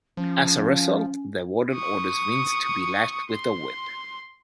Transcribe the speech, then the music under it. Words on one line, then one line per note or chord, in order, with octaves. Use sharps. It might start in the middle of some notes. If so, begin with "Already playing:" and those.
As a result, the warden orders Vince to be lashed with a whip.
F3 C#4
C#6 D#6
C6